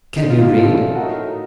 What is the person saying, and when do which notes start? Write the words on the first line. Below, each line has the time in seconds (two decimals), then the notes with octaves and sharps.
"Can you read?"
0.16 C2 C3 D#3 D#4
0.30 F4
0.43 F4
0.56 C2 A#2 A3 C#4 A4
0.95 A2 A3 D#4 F#4 A#4